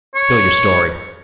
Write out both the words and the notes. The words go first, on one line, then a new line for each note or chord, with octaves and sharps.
"Spill your story."
C#5